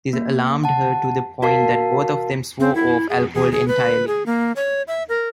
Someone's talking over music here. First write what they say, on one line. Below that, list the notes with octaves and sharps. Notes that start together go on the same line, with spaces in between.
This alarmed her to the point that both of them swore off alcohol entirely.
A#3
F#5 A5
F#4 A#4 F5 A5 C7
C4
E4
G#4
G#4
G#4
B4
G#4
A#3
C#5
E5
A#4